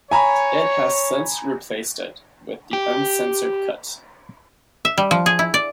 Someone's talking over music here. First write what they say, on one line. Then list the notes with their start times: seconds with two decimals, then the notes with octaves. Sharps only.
It has since replaced it with the uncensored cut.
0.11 C#5 G#5 A#5 B5
2.73 G4
4.85 E5
4.98 G3
5.11 F3
5.26 G#4
5.39 E4
5.54 D5